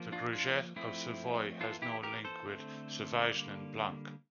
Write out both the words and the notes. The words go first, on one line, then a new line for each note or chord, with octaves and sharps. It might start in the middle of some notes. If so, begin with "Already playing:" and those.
The Gringet of Savoie has no link with Savagnin blanc.
Already playing: F3 A#3
D4 F4
D4 F4
F3 A3 C4 E4
E3 A#3 F4 A4
E4 G4
G4 A#4
A4 C5
D3 A3 C4
D3 G3 A#3